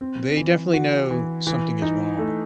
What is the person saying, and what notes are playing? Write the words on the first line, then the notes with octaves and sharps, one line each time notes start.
they definitely know something is wrong
C4
E3
F#4
E3
E3
D#4
A3